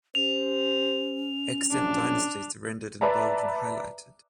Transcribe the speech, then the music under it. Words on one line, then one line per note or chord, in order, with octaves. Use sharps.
Extant dynasties are rendered in bold and highlighted.
C#4 G4 C5 F7
A#1 F#2 D4
B4 D5 E5 A5 A#5